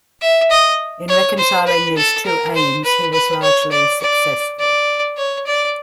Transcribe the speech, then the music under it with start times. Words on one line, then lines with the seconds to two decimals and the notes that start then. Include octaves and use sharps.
In reconciling these two aims he was largely successful.
0.21 E5
0.51 D#5
1.09 C#5
1.38 C5
1.67 B4
1.97 A4
2.26 A#4
2.55 C5
2.84 B4
3.13 B4
3.42 C#5
3.71 D5
4.01 D5
4.59 D5
5.17 C#5
5.46 D5